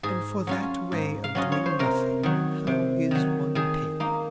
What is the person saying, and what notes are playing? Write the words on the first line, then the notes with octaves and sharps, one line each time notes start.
"And for that way of doing nothing, how is one paid?"
G#2 G#4
F#3 C#4 F4
G#2
F5
F#3 C#4 F4 D#5
C#5
C5
C3 A#4
D#3 F#3
C3
D#3 F#3
D#3 G#4
A#3 D#4